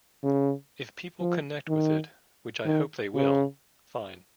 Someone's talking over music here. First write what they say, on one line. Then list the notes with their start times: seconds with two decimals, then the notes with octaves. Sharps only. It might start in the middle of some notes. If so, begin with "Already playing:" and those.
If people connect with it, which I hope they will, fine.
0.24 C#3
1.21 F3
1.69 D#3
2.65 D#3
3.14 C#3